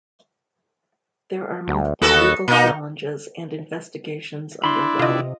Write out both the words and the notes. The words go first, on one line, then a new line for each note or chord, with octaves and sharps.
There are multiple legal challenges and investigations under way.
D2
D#2 B3 F#4 A4
B2 A#3 D#4
D4 E4 B5 C6
C3 F4 D#5